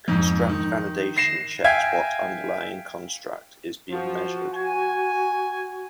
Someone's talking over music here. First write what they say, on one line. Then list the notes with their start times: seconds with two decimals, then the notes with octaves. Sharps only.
Construct validation checks what underlying construct is being measured.
0.08 F2 G#2
0.49 D#3
1.16 A#6 C7 E7
1.64 E5 F5 G5 G#5 G#6
3.91 F3 F#4
4.54 G#5